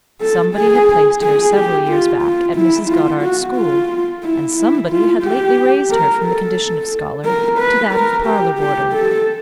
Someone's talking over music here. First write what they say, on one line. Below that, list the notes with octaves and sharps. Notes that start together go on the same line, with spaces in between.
Somebody had placed her, several years back, at Mrs. Goddard's school, and somebody had lately raised her from the condition of scholar to that of parlour-boarder.
A4
G#4
G#4
G4
F4
F4
E4
F4
F#4
F4
E4
E4
F4
G4
A#4
A4
A#4
B4
A#4
G4
G4
A4